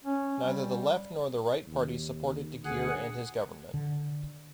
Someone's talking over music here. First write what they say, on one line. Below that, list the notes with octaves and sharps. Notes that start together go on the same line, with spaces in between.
Neither the left nor the right parties supported De Geer and his government.
C#4
G3
D#2
D2 G#4 F#5
D3